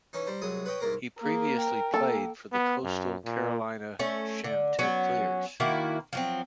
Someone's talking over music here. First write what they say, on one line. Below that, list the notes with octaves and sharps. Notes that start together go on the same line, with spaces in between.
He previously played for the Coastal Carolina Chanticleers.
E3 C#4 D#4
G3 C5 A#5
C2 F#3 G#3 D#6
B4 C#5 D#5 G5
C2 G#2 A#3 A#4 A#5 D6
A#3 G#4 A#4
G5
A#3 A4
B3
F#2
A#2
A3 C#4
D3
F#3 B3 C#4
D#3 A#3 E4 F#4
F3 F#3 C4